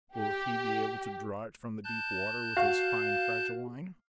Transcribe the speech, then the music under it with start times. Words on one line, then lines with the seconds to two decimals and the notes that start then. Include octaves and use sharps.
Will he be able to draw it from the deep water with his fine, fragile line?
0.16 G4
1.84 A5 F#6 G6
2.57 F#4 F5